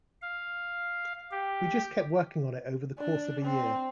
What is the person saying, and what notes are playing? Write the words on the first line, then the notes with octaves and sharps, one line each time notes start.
We just kept working on it over the course of a year.
F5
G4
D4
C4